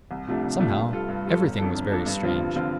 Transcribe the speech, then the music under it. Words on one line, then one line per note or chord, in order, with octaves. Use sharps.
Somehow--everything was very strange.
C2
C3 F3 A3 D4
C2
C3 F3 A3 D4
G2
G3 F4 A4
G2
G3 F4 A4
G1
F2 F3 D4 A4
G1
F2 F3 D4 A4
G2
D3 F3 C4 F4
G2
D3 F3 C4 F4